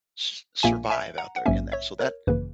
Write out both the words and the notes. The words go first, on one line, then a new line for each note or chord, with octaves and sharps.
s survive out there in that?" So that,
A#1 A#2 A#3 E5 G#5
E5 G#5
F#5 A#5
F#5
A#1 G#2 F#3 A#3 C#4 E5 G#5
C#5 E5
A#4 C#5
G#1 F#2 C#3 E3 A#3 B4